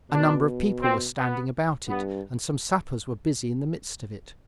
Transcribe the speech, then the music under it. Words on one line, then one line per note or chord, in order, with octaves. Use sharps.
A number of people were standing about it, and some sappers were busy in the midst of it.
B2 D4
C4
B3
G2 B3